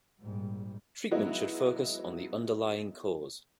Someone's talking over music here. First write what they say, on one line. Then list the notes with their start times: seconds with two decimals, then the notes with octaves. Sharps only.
Treatment should focus on the underlying cause.
0.22 A#1 G#2 G3
1.11 F#3 G#3 B3 D#4 E4 F#4